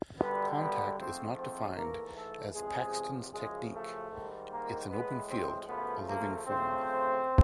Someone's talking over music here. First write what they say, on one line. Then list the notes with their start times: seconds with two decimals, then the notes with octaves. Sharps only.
Contact Is not defined as "Paxton's technique", it's an open field, a living form.
0.19 F#2 D3 G3 B3 B4
0.58 B3 B4
0.97 G#2 F3 A3 C4 C5
1.36 C4 C5
1.75 G#2 E3 A3 A#3 A#4
2.15 A3 A4
2.54 E2 C3 F3 G#3 G#4
3.32 F#2 C#3 F3 G#3 G#4
3.72 A3 A4
4.11 G#2 D#3 G3
4.50 A#3 A#4
4.89 A2 E3 G#3 B3 B4
5.29 C4 C5
5.68 F#2 C#3 F3 A3 B3 B4
6.07 A#3 A#4
6.46 D2 C#3 F3 A3 C4 C5